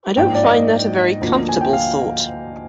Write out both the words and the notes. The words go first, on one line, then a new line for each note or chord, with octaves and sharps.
I don't find that a very comfortable thought.
G#2 F3 A#3 D4 G5
D5
D#5
D2 D3 F3 A#3
G#5
G5
F5